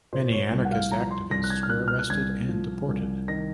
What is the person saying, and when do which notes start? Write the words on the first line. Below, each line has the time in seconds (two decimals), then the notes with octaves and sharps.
Many anarchist activists were arrested and deported.
0.13 A#2 C5
0.32 C#5
0.52 C2
0.65 F#5
0.72 F5
0.91 F3 A#5
1.11 C6
1.31 C2 A#6
1.44 F#6
1.50 G#6
1.63 F6
1.70 A#2 F#6
1.88 F6
1.99 F#6
2.10 C2 G#6
2.49 F3
2.88 C2
3.28 D#3 A#6